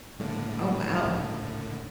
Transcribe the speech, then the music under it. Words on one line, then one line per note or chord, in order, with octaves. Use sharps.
Oh, wow.
A2 D3 G3 G#3 A#3
C#2